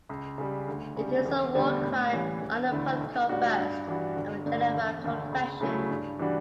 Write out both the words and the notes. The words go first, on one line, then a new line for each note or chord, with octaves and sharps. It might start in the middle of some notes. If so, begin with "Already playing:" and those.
It is a war crime under Protocol I of the Geneva Convention.
C#2
C#3 G3
D2
C#3 G3
E1
D2 D3 G3 B3
A2
E3 G3 C#4 E4
E1
D2 D3 A3 E4
B1
A2 G3 D4 F#4
G2
E3 G3 D4 F#4
G1
G2 D3 A3
E1
D2 D3 A3
C#2
C#3 F#3 A3 E4
G2
E3 G3 D4 F#4